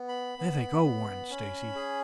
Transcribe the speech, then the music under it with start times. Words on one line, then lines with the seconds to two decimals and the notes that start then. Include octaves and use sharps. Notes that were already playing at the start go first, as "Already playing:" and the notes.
"There they go," warned Stacy.
Already playing: B3
0.09 B5
0.39 B3
0.84 B3
1.30 C#4
1.76 G#4